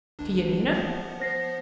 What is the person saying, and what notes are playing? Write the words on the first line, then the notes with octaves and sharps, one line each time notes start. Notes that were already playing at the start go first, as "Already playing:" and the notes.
"To Yanina?"
G1 C#2 D4
F3 B3
C5 A#6 C7